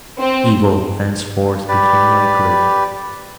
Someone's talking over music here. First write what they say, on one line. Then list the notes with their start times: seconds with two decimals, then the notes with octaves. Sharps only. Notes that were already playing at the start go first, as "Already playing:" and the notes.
Evil thenceforth became my good.
0.18 C4
1.68 G4 B4 D5